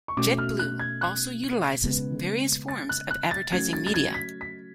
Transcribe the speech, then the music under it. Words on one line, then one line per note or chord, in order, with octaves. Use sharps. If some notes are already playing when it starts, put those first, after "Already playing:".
JetBlue also utilizes various forms of advertising media.
C#6
B2 A3 C#4 F#4 D6
F6
F#6
G#6
F#6
C#3 G#3 B3
A6
F#6
F#6
A6
F#3 A3 C#4 F#4 G#6
A6
A6
G#6
B6
B6